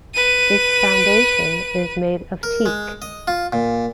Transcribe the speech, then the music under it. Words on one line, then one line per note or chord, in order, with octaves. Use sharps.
Its foundation is made of teak.
B4 D#7
A#4
G#3
D#5
F4
A#2